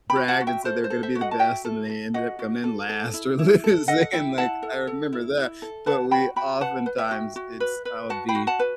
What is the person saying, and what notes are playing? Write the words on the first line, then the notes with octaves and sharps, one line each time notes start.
bragged and said they were gonna be the best, and then they ended up coming in last or losing, and, like, I remember that. But we, oftentimes it's I'll be
G5 B5
F#4
F#5 A5
F#4
E5 G5
A4 C5
C5
A4
C5 E5
F#4
D#5 F#5
A5
F#4 E5 G5
A4
A4
F#4 D#5 F#5
F#4
A4
A4
E4
E4
A4
A4 D#5 F#5
F#5
E4 E5 G5
E4 F#5 A5
A4
A4
E4
E4
A4
B4 F#5 A5
F#4 G5 B5
F#4 G5 B5
B4 F#5 A5
B4
E5 G5
F#4
F#4
B4
B4
F#4 F#5 A5
G5 B5
F#4
F#5 A5
B4